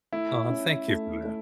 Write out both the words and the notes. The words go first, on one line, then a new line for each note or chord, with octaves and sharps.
Aw, thank you for that.
A3 E4
C#4
A3
A3